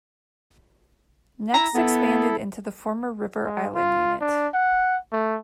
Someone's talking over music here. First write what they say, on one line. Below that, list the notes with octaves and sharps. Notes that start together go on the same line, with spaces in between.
Next expanded into the former River Island Unit.
E4 E5 A#5 E6
B3 E4 A4
G#3
F4
D4
F#5
A3